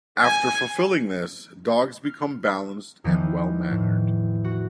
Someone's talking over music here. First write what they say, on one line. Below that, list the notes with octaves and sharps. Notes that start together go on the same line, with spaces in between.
After fulfilling this, dogs become balanced and well-mannered.
G#5
F6
E2 D#3 F3
A2
F#4